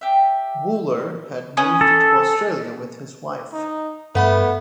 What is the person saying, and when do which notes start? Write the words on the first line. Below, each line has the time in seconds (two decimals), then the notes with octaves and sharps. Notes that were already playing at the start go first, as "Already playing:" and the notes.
Wooller had moved to Australia with his wife.
0.01 G4 E5
1.57 C#4 B4 D#6
1.81 A4
3.53 D#4
4.15 G2 A3 B3 B4 F#5 B5